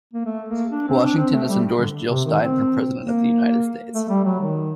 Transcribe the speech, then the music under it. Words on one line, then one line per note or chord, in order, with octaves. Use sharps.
Washington has endorsed Jill Stein for President of the United States.
A#3
A3
A#3
D4
C4
D4
C4
A3
G3
D3
C3
D#3
C4
A#3
A3
G3
F#3
D#3